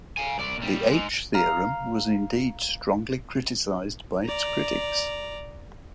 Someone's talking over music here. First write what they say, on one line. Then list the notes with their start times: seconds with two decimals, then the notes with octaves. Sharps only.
The H theorem was indeed strongly criticized by its critics.
0.17 F5 G#5
0.38 C2 D5
0.58 A#2 G3
0.91 G#3 D#4
1.34 F5 A#5
4.25 D5 A#5